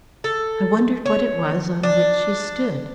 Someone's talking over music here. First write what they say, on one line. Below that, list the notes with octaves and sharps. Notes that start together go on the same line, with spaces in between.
I wondered what it was on which she stood.
A4
C#5
D4